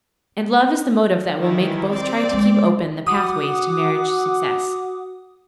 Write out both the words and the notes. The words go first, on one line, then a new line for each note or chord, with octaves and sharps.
And love is the motive that will make both try to keep open the pathway to marriage success.
D#3 E3 E4
C4 D5
G#3
F#4 F#5 D6 D#6